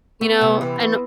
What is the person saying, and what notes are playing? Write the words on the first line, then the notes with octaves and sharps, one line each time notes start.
you know, and
A3 B3
C3
E3
C4